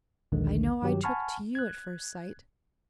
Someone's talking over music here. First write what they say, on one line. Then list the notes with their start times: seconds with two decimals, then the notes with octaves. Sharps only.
I know I took to you at first sight!
0.32 A#1 D#2 D3 D#3 G#3
0.82 G2 D#3 F#3 G4
1.04 F#5 G#5 A5 B5 C#6 F6
1.55 F#6 G#6